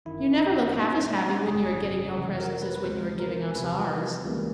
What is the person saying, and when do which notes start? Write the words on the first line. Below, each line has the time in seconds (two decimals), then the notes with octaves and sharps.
You never look half as happy when you are getting your presents as when you are giving us ours.
0.06 G1 F#2 D#3 E4
0.76 A#1 A#2 F#3 B3 D#4
0.93 C#4
1.11 D4
1.28 G4
1.46 G#1 F#2 C#3 G#4
2.15 F2 C3 E3 A3
2.38 A#4
2.62 B4
2.76 B4
2.85 C#2 B2 G#3 C4 C5
3.19 A#4
3.55 E2 C3 F3 B4
4.24 C#2 C#3 E3 G3 A#3